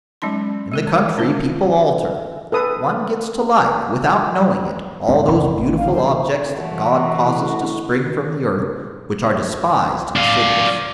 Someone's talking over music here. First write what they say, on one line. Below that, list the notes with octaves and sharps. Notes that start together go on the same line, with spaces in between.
In the country people alter; one gets to like, without knowing it, all those beautiful objects that God causes to spring from the earth, which are despised in cities.
F#3 G#3 C#4 D#4 C6
G#3 A4 A#4
D3
D3 D4 C5
A4 B4 D#6
E1 G#2 C4
F2 C3
A1
F5
D3 E3 G3 C5
E3 A3 F#4
A2
D4 F5